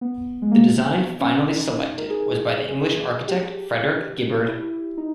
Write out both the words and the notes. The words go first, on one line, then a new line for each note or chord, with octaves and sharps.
The design finally selected was by the English architect Frederick Gibberd.
B3
G#3
A#3
B3
C#4
D#4
A#4
G#4
G#4
G4
E4
D#4